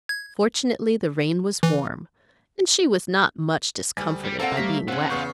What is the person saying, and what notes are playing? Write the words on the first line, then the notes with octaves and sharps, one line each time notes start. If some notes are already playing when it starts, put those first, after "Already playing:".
Fortunately the rain was warm, and she was not much discomforted by being wet.
G#6
E3
D2 G3 G#5
G3
A#3 C4 A4 C5 D5 F#5
G3 A3 C5 B6
C4 C#4 F4 F#5
E2 C#3 B3 C#6 G6